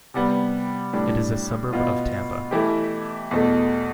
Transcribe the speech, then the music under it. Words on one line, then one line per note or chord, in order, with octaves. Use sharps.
It is a suburb of Tampa.
C3 G3 B3
A2 G3 D4
B2 B3 F4
E3 A3 E4 G4
E2 B2 A3